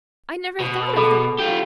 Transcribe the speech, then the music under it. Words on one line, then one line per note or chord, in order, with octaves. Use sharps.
I never thought of that!
B2
B2 G#4 A4 B5
B5
F4 G4